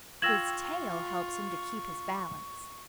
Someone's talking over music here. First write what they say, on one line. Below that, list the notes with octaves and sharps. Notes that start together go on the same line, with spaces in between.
His tail helps him to keep his balance.
F4 G5 C#6 E6 G#6 A#6 E7 F#7